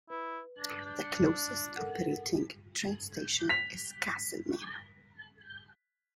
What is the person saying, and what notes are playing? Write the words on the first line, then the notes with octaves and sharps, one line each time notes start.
The closest operating train station is Castlemaine.
E4 B4
D4
D4
C#7
A4 A#4 F#5
B6 F7